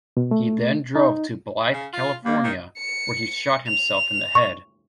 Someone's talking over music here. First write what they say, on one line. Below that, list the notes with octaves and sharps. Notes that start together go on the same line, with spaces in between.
He then drove to Blythe, California, where he shot himself in the head.
B2
A3
D#4
C#3
F4
G2 A#3
D#3
C#7
F7
C#6